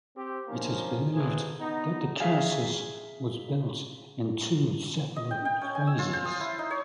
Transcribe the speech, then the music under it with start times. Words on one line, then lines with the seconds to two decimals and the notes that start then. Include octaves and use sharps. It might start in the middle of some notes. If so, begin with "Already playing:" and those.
It is believed that the cursus was built in two separate phases.
0.16 C4 G4
0.48 F3 A#3 C#4 D#4
1.13 A1 E3 F3 G#4
1.59 B3 D#4
2.20 G#4 E5 F5 G#5
5.16 D#5
5.31 G5
5.45 G5
5.61 C#4
5.75 G#5
5.87 E6
5.99 F4
6.13 C5
6.25 D#6
6.40 E4
6.59 D#4
6.70 C#5